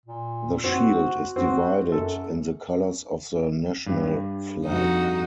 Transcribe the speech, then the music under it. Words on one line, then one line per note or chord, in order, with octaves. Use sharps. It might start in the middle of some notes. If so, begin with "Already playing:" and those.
The shield is divided in the colors of the national flag.
A#2
C4 F#4
C4 F#4
F#2 A4
G2
F2 D#4 F#4